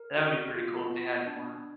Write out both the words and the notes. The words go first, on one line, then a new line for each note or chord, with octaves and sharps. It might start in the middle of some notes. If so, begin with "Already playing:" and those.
That would be pretty cool if they had more.
Already playing: A#4
F#4
F4
B3
D4